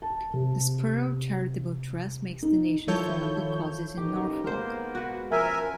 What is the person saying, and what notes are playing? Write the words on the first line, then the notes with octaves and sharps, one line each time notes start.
The Spurrell Charitable Trust makes donations to local causes in Norfolk.
A5
C3
D#4
D#3 F3 E4 A4 C#5 G6
A1 D#2 D#4 G4
G#3 A#3 B3 A#4 C5
F#4 B4
F3 C#4 A#4 E5 G#5